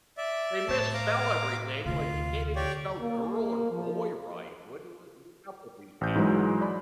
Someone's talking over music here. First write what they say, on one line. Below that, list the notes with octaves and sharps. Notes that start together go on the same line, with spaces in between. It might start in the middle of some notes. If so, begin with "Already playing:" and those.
They misspell everything, like, you can't even spell "girl" or "boy" right, what do wha what's up with these people?
D5 E5
A2 C#5 A5
F5 A#5 D6
D2 C3 F4
G4 C#5 D5
A#3
F3
A1 G6
G#2 E3 F#3 G#3
D5 B5